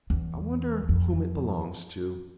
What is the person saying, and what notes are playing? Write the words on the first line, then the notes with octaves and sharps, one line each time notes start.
I wonder whom it belongs to.
E2
F2